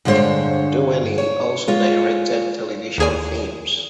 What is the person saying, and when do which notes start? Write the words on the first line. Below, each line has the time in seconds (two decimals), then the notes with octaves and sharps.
Doheny also directed television films.
0.05 G2 D3 G#3 F4 C5 C#5
1.18 C#5
1.68 G#3 F4 C#5
2.98 D#2 G#4 G#5